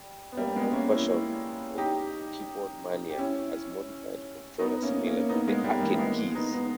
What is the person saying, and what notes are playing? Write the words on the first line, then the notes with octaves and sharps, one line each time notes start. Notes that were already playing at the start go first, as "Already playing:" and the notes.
The Home Version of keyboardmania has Modified controller similar to the Arcade keys.
Already playing: G3
B3
G3 A#3
G#3 B3
A#3 C#4
C#4 E4
D#4 G4
G4
C#4 E4
B3 D#4
B3
A#3 C#4
A#3 C#4
B3 D#4
G#3 B3
G3 A#3
E3 G#3
A#3
G#3 B3
B3 D#4
B3 D#4